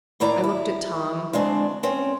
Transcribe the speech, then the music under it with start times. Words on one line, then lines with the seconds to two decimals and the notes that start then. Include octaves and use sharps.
I looked at Tom.
0.20 A2 D#3 E4 D5 A#5
0.44 E4
1.33 D2 G#3 C4 D4
1.83 C4 C#4